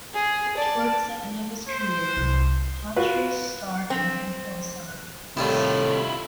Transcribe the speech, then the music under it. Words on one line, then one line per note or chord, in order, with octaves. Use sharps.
Towards the end of his career Hawtrey starred in a handful of silent movies.
G#4
D5 A5
C5
C2
F4 F#4 B4
C4
A2 C3 D#3 G3 A3 E4 F4